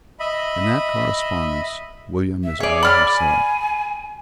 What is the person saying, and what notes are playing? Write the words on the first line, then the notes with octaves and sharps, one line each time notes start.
In that correspondence William is all himself.
D#5 E5 B5
E5
G#4 C#5 D5
D5 B5 F6
G#5